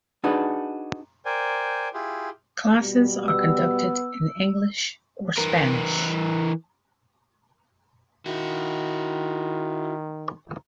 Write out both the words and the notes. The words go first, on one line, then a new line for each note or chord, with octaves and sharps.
Classes are conducted in English or Spanish.
D4 D#4 F#4 G#4 B4
A#4 C5 D5 G5 G#5
E4 F4 G4 G#4
B2 G3
B3 E6
E3 A#4
D#3 E4 F#4